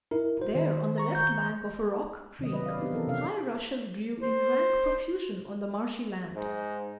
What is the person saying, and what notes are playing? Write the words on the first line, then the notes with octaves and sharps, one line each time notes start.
There on the left bank of Rock Creek, high rushes grew in rank profusion on the marshy land.
D#4 E4 A#4
F#4 C5
D#3 C5
A#5 C#6
G6
C3 D#3 C4 D#5
F#3 D4 B4 D5 D#5
B4 D5 F5
B3 C4 D4 D#4 G4
E3 B3 C4 A4 A#4
C3 C#4 F5
C5
G#2